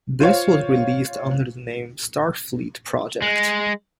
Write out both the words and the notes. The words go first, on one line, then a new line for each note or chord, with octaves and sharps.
This was released under the name "Star Fleet Project".
F4 C5 C#5 F5
G#3